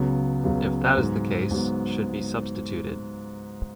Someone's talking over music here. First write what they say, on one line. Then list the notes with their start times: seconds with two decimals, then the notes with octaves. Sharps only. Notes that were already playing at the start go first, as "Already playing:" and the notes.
If that is the case, should be substituted.
Already playing: C#2 C#3 F#3 B3
0.43 C#2 C#3 F#3 B3
0.97 G#2 F#3 B3
1.51 G#2 F#3 B3